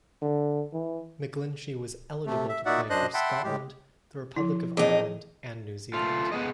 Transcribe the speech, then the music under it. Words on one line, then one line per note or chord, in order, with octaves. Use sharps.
McGlinchey was eligible to play for Scotland, the Republic of Ireland and New Zealand.
D3
E3
C3 A3
E5
A#2 D#4 F#4 D5 E5 F#5
F#2 D4 C5 D#5 F#6
E5 F#5 G5 A5 B5 C6
A2 G#3 G4
F3 E4
F2 E3 D#4 G#4
A3 F4
B3 G#4 D#5